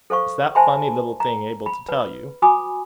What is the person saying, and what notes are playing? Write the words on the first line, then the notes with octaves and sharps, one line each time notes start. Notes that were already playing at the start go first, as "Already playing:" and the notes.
"Is that funny little thing able to tell you?"
A4 C5 F5 C#6
C5 E5 G#5 A5 B5 C6
A#5
B5
B4
F#4 G#5 B5 D6 D#6